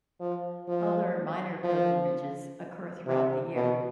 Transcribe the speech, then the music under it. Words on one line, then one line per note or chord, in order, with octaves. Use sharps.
Other, minor pilgrimages occur throughout the year.
F3
F3
F3
C3
B2